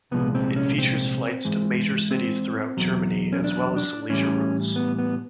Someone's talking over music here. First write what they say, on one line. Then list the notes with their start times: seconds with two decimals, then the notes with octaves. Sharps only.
It features flights to major cities throughout Germany as well as some leisure routes.
0.11 C2 A#2 F3 G#3 B3
0.35 C4
0.56 C#4
0.78 C4
1.45 G#2 E3 G#3
2.11 C4
2.77 E2 B2 F#3
3.32 C#4
3.44 D4
3.76 D4
4.09 A2 E3 G3 C#4
4.76 B3
4.98 B3